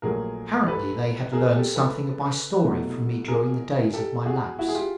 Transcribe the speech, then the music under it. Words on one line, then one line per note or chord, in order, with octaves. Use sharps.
Apparently they had learned something of my story from me during the days of my lapse.
A#1 A#2 F#3 A3 G#4 A#4
A4 B4
G#4 A#4
G4 A4
A4 B4
C2 B2 F#3 A3
G#4 A#4
G4 A4
F#4 G#4
E4 F#4
G#4
F4 G4